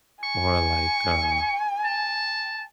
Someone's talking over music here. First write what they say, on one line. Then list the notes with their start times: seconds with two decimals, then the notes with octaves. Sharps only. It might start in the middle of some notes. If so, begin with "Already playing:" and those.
or, like, uh,
0.25 G#5 C#6
1.84 A5